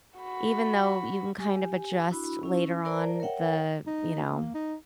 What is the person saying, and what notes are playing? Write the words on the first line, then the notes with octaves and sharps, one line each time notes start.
even though you can, kind of adjust later on the you know,
F#4 B5
G4 G#5
D4 E4 F#4 B5
C#4 E4
A#4 C5 D5 A5 A#5
A#4 C#5 E5 F#5 G5
D#4
A#3
D#4